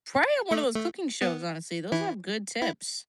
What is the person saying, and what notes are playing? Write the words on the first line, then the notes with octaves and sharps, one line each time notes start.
Probably one of those cooking shows, honestly, those have good tips.
A3
A3
B3
E3 E4
E4